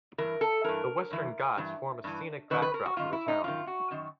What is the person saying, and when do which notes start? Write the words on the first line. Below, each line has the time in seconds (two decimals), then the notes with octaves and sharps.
The Western Ghats form a scenic backdrop to the town.
0.18 G2 E3 A#4
0.41 A4
0.64 G2 E3 A#4
1.11 G2 E3
1.57 G2 E3
2.04 G2 E3
2.50 F#2 D#3 B4
2.62 B4
2.74 A#4
2.86 F#4
2.97 F#2 D#3 F4
3.13 E4
3.28 D#4
3.44 F#2 D#3 F4
3.67 F#4
3.91 F#2 D#3